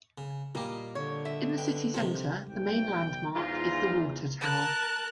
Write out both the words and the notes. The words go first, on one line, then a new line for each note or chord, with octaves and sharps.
In the city center, the main landmark is the water tower.
C#3
A#2 G3 A#3 G4 D#5
D3 C#5
D#5 E5
B4 G5
C3 D#3 F3 G4
B1 G5
E2 G#2 F4 A#5
A#4 A5 F#6